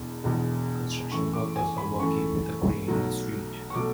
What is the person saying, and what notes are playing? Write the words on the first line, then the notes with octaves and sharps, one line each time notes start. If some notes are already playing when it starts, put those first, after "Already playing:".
Construction workers are working with a crane in the street.
Already playing: E1 E2 B2
E1 E2 B2
F#2 E3 A3 C#6
D6
G#5
B5
F#2 E3 A3 C#6
B1 B2 F#3 A3
C#6
B2 F#3 A3 D6